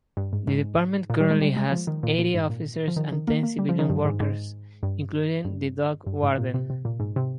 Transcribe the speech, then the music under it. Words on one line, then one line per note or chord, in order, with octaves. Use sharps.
The department currently has eighty officers and ten civilian workers, including the dog warden.
G2
G#2
G#2
A#2
G3
G#3
G3
G#3
F3
D#3
A#2
A#2
G#2
A#2
F3
D#3
D#3
A#3
A#3
G3
F3
D#3
G2
G#2
G#2
G2
G2
G2
G#2
A#2
C3
C3
A#2
G#2
C3